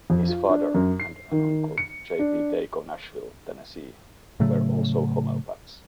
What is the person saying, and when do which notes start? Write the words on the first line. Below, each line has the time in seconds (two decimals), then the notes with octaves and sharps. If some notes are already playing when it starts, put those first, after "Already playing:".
His father and an uncle, J. P. Dake of Nashville, Tennessee, were also homeopaths.
0.10 F2
0.28 F4
0.49 D4
0.74 F#2
1.00 C7
1.31 D#3
1.78 C#7
2.19 D4
4.40 A2 C#3 F#3 A3